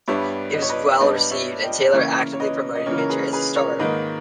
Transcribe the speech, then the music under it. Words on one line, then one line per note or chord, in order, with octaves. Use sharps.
It was well received, and Taylor actively promoted Minter as a star.
G2 G3 B3 C#5 E5
D#5
C#5
B4 D#5
G2 G3 B3 B4 D#5
C#5 E5
D#5 G5
C#3 E3 A#3 C#4 C#5 E5
C#5
B4 D#5
D#5
C#3 E3 A#3 C#4 A#4 C#5
A#4
G#4 B4
G#4 B4
A#4 C#5
G#2 D#3 A#3 B4 D#5